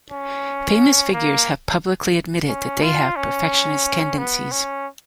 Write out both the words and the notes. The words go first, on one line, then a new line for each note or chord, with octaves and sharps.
Famous figures have publicly admitted that they have perfectionist tendencies.
C#4
A#3
C#4
F4
C#4
B3
C#4